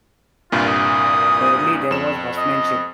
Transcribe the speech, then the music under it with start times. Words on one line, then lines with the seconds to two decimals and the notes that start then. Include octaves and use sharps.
Thirdly there was horsemanship.
0.52 C2 G2 A#2 F4
0.68 D#6
1.91 F2 E7
2.38 D#5